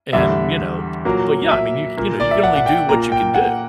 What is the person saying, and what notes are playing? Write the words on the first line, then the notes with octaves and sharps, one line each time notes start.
and, you know but, yeah, I mean, you c you know, you can only do what you can do.
E2 D3 G3 E5
A#2 F#3 A#3
E5
A#2 A#3
D5
E5
F#5
F#5
G5
A#2 A#3 A#5
G5
F#5